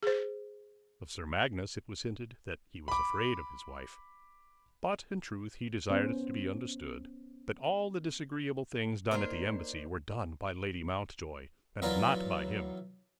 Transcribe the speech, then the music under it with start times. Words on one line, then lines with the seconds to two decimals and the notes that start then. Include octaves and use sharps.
Of Sir Magnus it was hinted that he was afraid of his wife; but in truth he desired it to be understood that all the disagreeable things done at the Embassy were done by Lady Mountjoy, and not by him.
0.03 G#4 C5
2.88 B5 D6
5.90 B3 C#4 C5
9.11 A#3 D4 D#4 A#4 C5
11.82 E3 F#3 B3 F4 A#4 D5